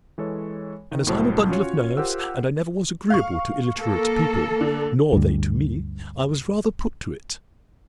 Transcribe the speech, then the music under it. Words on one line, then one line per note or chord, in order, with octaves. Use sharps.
And as I'm a bundle of nerves, and I never was agreeable to illiterate people, nor they to me, I was rather put to it.
E3 G#3 A4 C#5
D#3
C2 A2 F#3 C5 A5
C#4 F4 F#4 C#5
F4 G4 A#4 C5 F#5 E6
F5 C#6
A#3 A4
D3
D2 G2